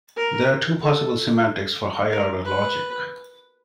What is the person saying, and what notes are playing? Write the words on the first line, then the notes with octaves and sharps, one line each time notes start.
There are two possible semantics for higher order logic.
A#4
A4
A#4
B4